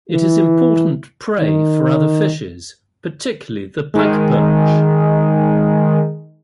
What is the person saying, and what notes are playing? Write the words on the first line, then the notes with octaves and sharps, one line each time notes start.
It is important prey for other fishes, particularly the pikeperch.
E3
D#3
D#3 G#3